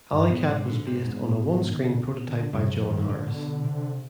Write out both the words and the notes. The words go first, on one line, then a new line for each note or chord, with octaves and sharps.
"Alley Cat" was based on a one-screen prototype by John Harris.
G2
G#2 B2
C3
D3
C3
G#2 B2
D#3
D3
D3
G2 C3
F2
G2 D#3
G#2 D3
B2
C3